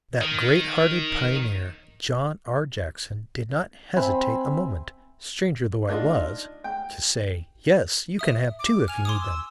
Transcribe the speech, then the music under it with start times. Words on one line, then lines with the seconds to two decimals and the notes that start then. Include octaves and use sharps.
That great-hearted pioneer, John R. Jackson, did not hesitate a moment, stranger though I was, to say, "Yes, you can have two if you need them."
0.22 D#3
3.96 C4 E5 G#5 B5
5.90 D4 D#4 F4
6.64 G5
8.19 E5 D#6
8.59 D6
8.88 G#5 F6 F7
9.05 C6 D6 D#6
9.21 E6